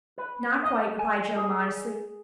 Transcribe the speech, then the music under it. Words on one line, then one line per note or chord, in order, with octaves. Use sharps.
"Not quite," replied Jo modestly.
B4
D#5
G#5
G#4